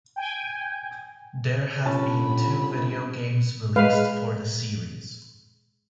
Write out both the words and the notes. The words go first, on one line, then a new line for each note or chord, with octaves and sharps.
There have been two video games released for the series.
G5 G#5
G1 C#4 A5 B5
G#3 B4 F5